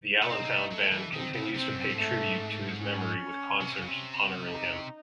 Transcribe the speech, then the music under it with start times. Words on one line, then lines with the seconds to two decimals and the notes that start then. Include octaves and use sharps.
The Allentown Band continues to pay tribute to his memory with concerts honoring him.
0.23 A3
0.30 C4 D#4
0.46 C4
0.51 A3
0.72 F#3 A3
0.92 E3
1.13 D#3 C4
1.34 C#3
1.55 C3 C4
1.69 G#2
1.75 F#2
1.90 A2
1.96 G#2 A3
2.78 C#4
3.61 C3
3.75 C#3
3.88 C3
4.44 D#4